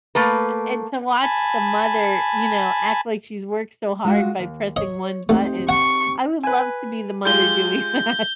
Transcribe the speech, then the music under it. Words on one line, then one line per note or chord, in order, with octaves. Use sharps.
a and to watch the mother, you know, act like she's worked so hard by pressing one button. I would love to be the mother doing that.
A3 A#3 B4
G#5 A5 B5
G#3 F4 F#4
D#2
C#5 D#5
A3 C4 D#4 G4
F#5 C#6
B4 G#5
G#3 F4 G4 G6 G7